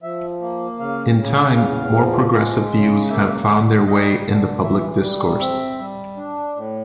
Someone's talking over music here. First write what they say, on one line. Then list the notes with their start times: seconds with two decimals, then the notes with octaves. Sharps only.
In time, more progressive views have found their way in the public discourse.
0.03 F3 E5
0.42 A#3
0.79 C#3 F5
1.18 C#3
1.56 E2 F5
1.95 F3
2.33 G#3
2.72 C#3
3.10 A#3 E5
3.48 D3
3.86 G3 D#5
4.25 D3
4.63 E3 E5
5.01 G3
5.40 C4 E5
5.79 G3
6.17 D4
6.56 A2